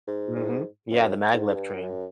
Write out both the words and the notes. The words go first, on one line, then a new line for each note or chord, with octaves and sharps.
Mhm. Yeah, the maglev train.
G#2
G#2
F#2
G#2
G#2
G2
F#2